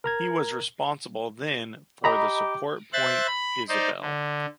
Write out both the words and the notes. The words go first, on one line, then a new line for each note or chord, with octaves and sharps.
He was responsible then for the support point "Isabelle".
A#4 A#5 G#6
G4 D#5 A#5 B5
C5 E5 F#6 A6
B5
D#4 C5 D5
D3